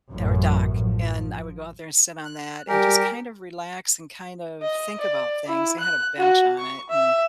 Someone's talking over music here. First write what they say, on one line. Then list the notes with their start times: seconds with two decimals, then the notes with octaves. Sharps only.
or dock, and I would go out there and sit on that and just kind of relax, and kind of think about things. They had a bench on it and,
0.10 A1 F#2 A2
0.78 F3
2.25 F#6
2.68 G3 G4 A#4 G#5
4.62 D#5
5.00 D5
5.48 E4
5.79 F#6
6.18 F#4
6.58 C#6
6.89 E5